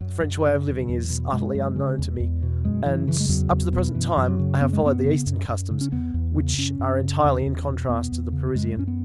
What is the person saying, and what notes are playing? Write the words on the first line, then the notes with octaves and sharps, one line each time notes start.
The French way of living is utterly unknown to me, and up to the present time I have followed the Eastern customs, which are entirely in contrast to the Parisian.
F#2 F#3
F#2
C#3
E2
E2
B2
F#2 G#3
F#2
C#3
E2
E2
B2
F#2 G#3
F#2 E3
C#3 E3
G#3
E2 F#3
E2
B2
F#2 E3
F#2
F#3
C#3
F#2 B3
G#3
F#2 B3
C#3
F#2
F#2
C#3
C#4
E2 B3
E2
C#3
F#2 C#4
F#2
C#3
E2
E2
B2
E2 B3
E2
C#3
F#2 G#3
F#2 C#4
B3